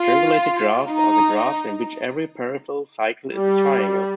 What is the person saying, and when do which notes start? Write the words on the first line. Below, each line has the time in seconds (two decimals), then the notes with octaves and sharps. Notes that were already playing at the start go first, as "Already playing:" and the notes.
Strangulated graphs are the graphs in which every peripheral cycle is a triangle.
Already playing: F4
0.89 D#4
3.34 G3